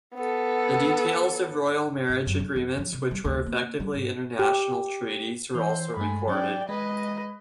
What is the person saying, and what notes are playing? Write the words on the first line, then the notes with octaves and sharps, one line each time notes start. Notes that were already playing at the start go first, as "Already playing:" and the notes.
The details of royal marriage agreements, which were effectively international treaties, were also recorded.
B3 A4
G#2
F#2
C#3
F2
F3
C3
G3
D2
A#3
G3
G#2
G4
E3 C5
G2 G#3 A3 B5
F#3 C#4 D5 G5
G#3 B4 D#5